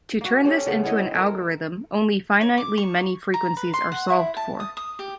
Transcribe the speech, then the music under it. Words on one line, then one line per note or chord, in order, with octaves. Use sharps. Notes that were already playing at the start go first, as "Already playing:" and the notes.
To turn this into an algorithm, only finitely many frequencies are solved for.
A#3 F#4
C4 C#4 G4 A4
C#3 A3 B3
B3 E4 D#5
C4
A4 A#4
C#5
D6
C#6
A#5
B4
C6
F#5
E4
A5
D#6
D#6
G4